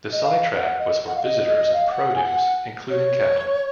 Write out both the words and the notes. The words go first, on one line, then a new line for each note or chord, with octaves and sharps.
The side track was for visitors and produce including cattle.
D#5
F5
F5
F#5
D#5
F#5
F5
D#5
D#5
D#5
F5
F#5
G#5
F#5
C#5